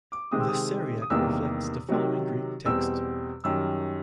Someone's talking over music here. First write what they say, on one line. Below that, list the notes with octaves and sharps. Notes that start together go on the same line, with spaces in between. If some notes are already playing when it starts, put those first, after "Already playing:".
The Syriac reflects the following Greek text.
D6
C3 D#3 G#3 C4 D#6
E6
D#6
D#6
E2 C3 D#3 G3 A#3 E6
C3 D#3 F#3
E2 B2 G3 C4 E6
F#2 D#3 G3 E6